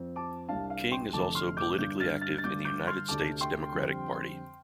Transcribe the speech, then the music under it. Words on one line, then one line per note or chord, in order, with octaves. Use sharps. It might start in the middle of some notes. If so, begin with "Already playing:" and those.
King is also politically active in the United States Democratic Party.
Already playing: F2 F3 C4
A5 D6
C2 C3 G3 D4 F5 A5
F5
G5 C6
F1 F2 D3 A3 A5 D6
C6 F6
D6 G6
G2 D3 G3 D4 D6 G6
F6 A6
F6 A6
A6
G2 D3 G3 D4 D6 G6
D6 G6
C6 F6
D2 C3 A3 D4 A5 D6
G5 C6
F2 D3 G3 C4